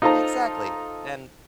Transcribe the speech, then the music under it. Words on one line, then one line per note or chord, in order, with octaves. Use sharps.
Exactly, and
D#4 F4 A4 C5 A#5